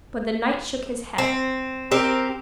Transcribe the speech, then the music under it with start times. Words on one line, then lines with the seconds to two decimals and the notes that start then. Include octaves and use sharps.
But the knight shook his head.
1.18 C4
1.91 C4 G4 A#4